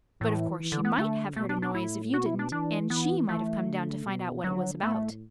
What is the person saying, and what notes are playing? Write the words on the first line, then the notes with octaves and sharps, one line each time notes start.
But of course she might have heard a noise if you didn't, and she might have come down to find out what it was about.
A2 E3
E3
D3
B3
D3 A3
B2 A3
D4
D4
A2 E4
B2 F#4
E4
D4
E3 D4
E3 B3
E3 A3
D3
B2
D3 F#3
A2 A3